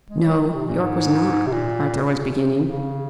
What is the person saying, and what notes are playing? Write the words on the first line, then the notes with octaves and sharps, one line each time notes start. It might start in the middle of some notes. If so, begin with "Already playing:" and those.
"No, Yorke was not," Arthur was beginning.
G#3
F#3
D#3
C3
A#2
G#2
C3
A#2
C3
C#3